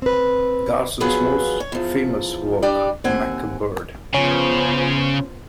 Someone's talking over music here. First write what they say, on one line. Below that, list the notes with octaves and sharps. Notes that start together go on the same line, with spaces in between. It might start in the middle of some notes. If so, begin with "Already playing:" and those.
Garson's most famous work, MacBird!
C4 B4
F3 F#3 B3 F4 G#4 B4
C#5
E2 F3
G3 D4 G4 D5
D#2 C4 F#5 G#5
C#3 F3 B3 C#4 C5